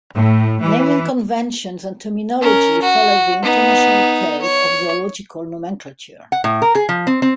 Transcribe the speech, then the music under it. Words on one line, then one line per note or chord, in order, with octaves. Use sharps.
Naming conventions and terminology follow the International Code of Zoological Nomenclature.
A2
E3
C#4 A#4
F#4
B3 D#4
C#5
F#5
A2
A#4
G#4
F3
C4
C4